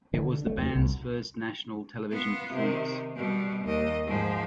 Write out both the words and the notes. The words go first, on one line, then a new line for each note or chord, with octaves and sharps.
It was the band's first national television performance.
D3
A3
D2
C2
B3 F4
C3 D#3
B2 G3
D#2 D#5
G#2 F3